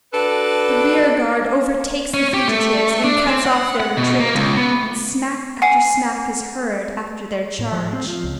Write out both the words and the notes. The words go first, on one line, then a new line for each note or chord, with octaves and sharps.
The rear-guard overtakes the fugitives and cuts off their retreat; and smack after smack is heard after their charge.
D4 F#4 A4 B4
C#4
G4
A3
D4
C4
F#5
F#5
B2
A#3
C#2
B3
F#5 G#5 C7
A2
F3
C4
F3
C#2